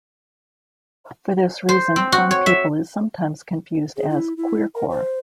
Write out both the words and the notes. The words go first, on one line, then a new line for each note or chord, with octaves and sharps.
For this reason Fun People is sometimes confused as queercore.
C5
C4
F#4
C#5
E5
G#4
E4
E4
A#4
C5